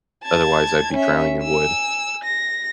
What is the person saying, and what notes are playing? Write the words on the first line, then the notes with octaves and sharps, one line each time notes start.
otherwise I'd be drowning in wood.
A5 G#6
C#4 E5
G#5 E6
A#6